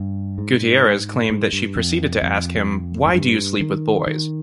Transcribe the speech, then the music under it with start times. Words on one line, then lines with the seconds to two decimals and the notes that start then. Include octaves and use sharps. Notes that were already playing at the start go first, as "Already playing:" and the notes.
Gutierrez claimed that she proceeded to ask him Why do you sleep with boys?
Already playing: G2
0.38 G#2
1.30 G#2
1.53 G2
1.76 F2
2.22 F2
3.06 G#2
3.14 G2
3.60 D#3
4.07 D#3